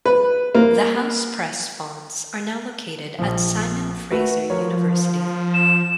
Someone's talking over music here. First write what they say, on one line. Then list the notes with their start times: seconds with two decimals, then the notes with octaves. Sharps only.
The housepress fonds are now located at Simon Fraser University.
0.05 B4
0.55 A#3
3.19 A#1 F3
4.11 A3 F#4 B4
4.50 F3 A#4 C#5
5.54 E7